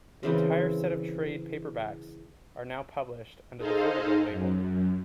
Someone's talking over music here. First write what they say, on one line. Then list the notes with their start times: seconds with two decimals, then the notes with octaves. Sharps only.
The entire set of trade paperbacks are now published under the Vertigo label.
0.23 C#3 E3 C4
3.57 D#4 G#4 A4 C5 D#5 F5
4.27 F#2